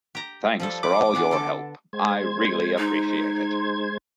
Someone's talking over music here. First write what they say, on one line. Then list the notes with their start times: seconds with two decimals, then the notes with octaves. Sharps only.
Thanks for all your help. I really appreciate it.
0.15 G4 A#5
0.60 F3 G3 A4
0.83 B4 D6
1.15 E3 B3 D4
1.31 D3 A4
1.93 G#3 C5 G#6
2.78 D#4